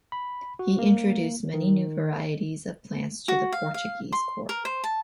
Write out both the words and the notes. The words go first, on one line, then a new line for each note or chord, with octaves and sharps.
He introduced many new varieties of plants to the Portuguese Court.
B5
F#4
A#3
D#3
F#4
F5
F5
C6
A#4
C5
A5